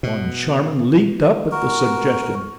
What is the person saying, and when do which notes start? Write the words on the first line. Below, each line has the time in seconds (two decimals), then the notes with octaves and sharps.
Moncharmin leaped up at the suggestion.
0.03 B2
1.52 F#4 A#4